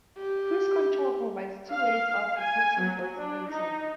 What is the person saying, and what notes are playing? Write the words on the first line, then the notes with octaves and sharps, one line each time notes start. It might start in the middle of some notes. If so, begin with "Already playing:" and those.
CruiseControl provides two ways of reporting build status.
G4
F5
G#5
F#3
D4
D#4